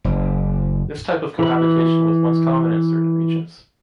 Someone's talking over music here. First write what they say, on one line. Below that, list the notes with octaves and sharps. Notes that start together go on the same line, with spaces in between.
This type of cohabitation was once common in certain regions.
F#1
E3 B5